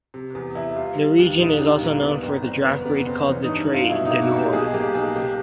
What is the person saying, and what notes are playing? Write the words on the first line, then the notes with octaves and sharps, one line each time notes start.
The region is also known for the draft breed called the trait du Nord.
C3
E2
E2 E4
G3 F4
G3
D#2
A#1 D#4
D#4
G3 D4
A#2 A#3
C#3 B3
G1
G1 C4
F1 B3
F1 B3
C#3 C4
E3 C#4
D#4
G2
G2
F4
B2 E4
D#4
A#3
F#4
B2
G4
B1 G#4
A#3 G4
B1 G#4
C#3 G4